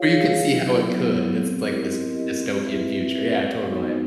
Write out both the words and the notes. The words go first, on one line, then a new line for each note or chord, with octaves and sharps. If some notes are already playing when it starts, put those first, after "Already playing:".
But you could see how it could, it's, like, this dystopian future, yeah, totally.
Already playing: F4 G#4 C#5 F5
G#4 C#5 F5
F#3
B3 E4
F#3
B3 E4
C4
E4 G4 A#4 D#5
C4
E4 G4 A#4 D#5
C4
E4 G4 B4 E5
C4
E4 G4 B4 E5
G#3
B3 D#4 F#4
G#3